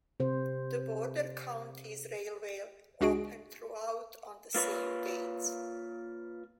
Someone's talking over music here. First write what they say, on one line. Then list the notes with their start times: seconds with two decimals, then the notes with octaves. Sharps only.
The Border Counties Railway opened throughout on the same dates.
0.20 C3 C5
3.01 C#2 D4 F#4 G#4 D7
4.55 A#3 F4 B4 C#5